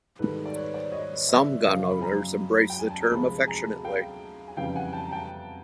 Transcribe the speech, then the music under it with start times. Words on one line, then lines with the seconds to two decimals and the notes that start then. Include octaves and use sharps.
Some gun owners embrace the term affectionately.
0.19 G#2 D#3 G3 A4 B4
0.46 D5
0.56 B4 C#5
0.74 C5 D5
0.92 C#5 D#5
1.29 D5 E5
1.65 F#2 C#3 F3 D#5 F5
1.91 B5
2.02 G#5 A#5
2.70 G5
2.79 G#5
2.90 A5
3.01 A#5
3.11 D2 C3 F3 G#3 A5 B5
3.47 G#5 A#5
3.85 F5 G5
4.48 G#5
4.57 F2 C#3 E3 G3 F5 G5
4.75 F#5 G#5
4.93 G5 A5
5.06 A#5
5.11 G5 A5